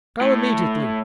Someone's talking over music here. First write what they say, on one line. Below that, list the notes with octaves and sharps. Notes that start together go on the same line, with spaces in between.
Go immediately.
A2